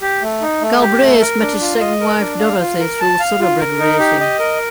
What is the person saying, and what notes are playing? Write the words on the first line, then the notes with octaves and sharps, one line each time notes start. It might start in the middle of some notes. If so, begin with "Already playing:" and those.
Galbreath met his second wife Dorothy through Thoroughbred racing.
G4
A3
D#4
A3
G4
A3
A#4
D4
F4
D#5
A#4
D4
F5
F4
A#4
A5
F5
F4
A#4
D#4
G4
D#5
A#4